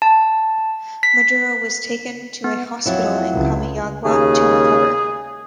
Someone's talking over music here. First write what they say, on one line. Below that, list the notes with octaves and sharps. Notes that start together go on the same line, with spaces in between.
Maduro was taken to a hospital in Comayagua to recover.
A5
B6
B3
F2 F#3 E4
C#2
D#2 C#3 G#4